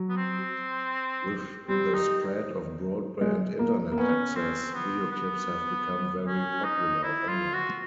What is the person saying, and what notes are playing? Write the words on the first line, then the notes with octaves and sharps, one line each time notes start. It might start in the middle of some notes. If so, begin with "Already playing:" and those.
With the spread of broadband Internet access, video clips have become very popular online.
Already playing: F#3
B3
C4
G3 C4
D#4
G#3
A#3
A#3
B3 C#4
C4
B3
B3
C#4
D#4
E4
F4
F#4